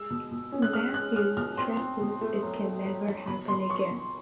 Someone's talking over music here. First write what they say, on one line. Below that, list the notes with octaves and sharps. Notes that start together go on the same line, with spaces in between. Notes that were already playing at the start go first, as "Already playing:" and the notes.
Matthew stresses it can never happen again.
Already playing: G#3 E6
B2
B2
C#4
F#6
G#3 F6
G#3 F#6
G#3 F6
B2 F6
C4 C6
C4
B2
A3
F#3
A3
F#3
F#3
B2 B5
B2 C6
F#3 C#6
B2